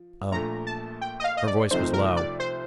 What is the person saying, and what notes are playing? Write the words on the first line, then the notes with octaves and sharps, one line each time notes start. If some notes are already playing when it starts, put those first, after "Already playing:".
"Oh." Her voice was low.
Already playing: F3
A#1 A#2 A3 A#5
A5
G5
D#5
F5
D#5
D5
C2 C3 F3 A3 D#4 C5
A#4
D5
C5